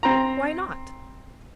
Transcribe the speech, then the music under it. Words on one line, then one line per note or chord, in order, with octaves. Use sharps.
Why not?
C4 A#5